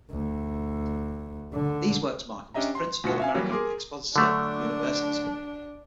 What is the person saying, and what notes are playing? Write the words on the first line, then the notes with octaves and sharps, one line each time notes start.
These works mark him as the principal American expositor of Universalism.
D2
D3
C#4 D4 G4 D#5 E5 A#5
C6
D2 B2 F4 F#4 C#7
E5 F5 G#5
E3 F#3 G3 A#3 E4
G#4 A#4 C6 D6
D3 F#3 A3 D4